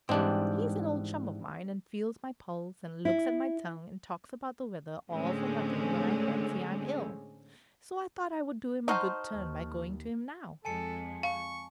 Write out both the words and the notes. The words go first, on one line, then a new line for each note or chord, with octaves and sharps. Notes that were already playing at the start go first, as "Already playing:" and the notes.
He is an old chum of mine, and feels my pulse, and looks at my tongue, and talks about the weather, all for nothing, when I fancy I'm ill; so I thought I would do him a good turn by going to him now.
G#2 E3 G3 C4 D4
E4
A2 D3 G#3 A3 C4 C#4
D#4 F#4 C5 D#5 A5 C#6 F6
D#2
F2 G#3 A4 G#5 A5 C#7
F5 C#6